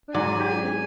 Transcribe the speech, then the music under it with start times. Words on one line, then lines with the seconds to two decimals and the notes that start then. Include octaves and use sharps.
Where are you?
0.14 G#2 F#3 D5 G#5